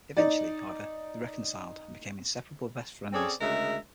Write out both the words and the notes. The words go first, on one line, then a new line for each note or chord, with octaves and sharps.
Eventually, however, they reconciled and became inseparable best friends.
D#4 D5
C4 C#4 G#4 A4 C#5 D5
D2 C#3 G#3 A#4 E5